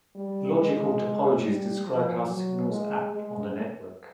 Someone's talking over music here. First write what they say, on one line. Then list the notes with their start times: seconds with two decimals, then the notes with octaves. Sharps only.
Logical topologies describe how signals act on the network.
0.15 G3
0.57 G#3
1.42 G3
1.84 F3
2.26 F#3
2.69 G#3
3.11 G#3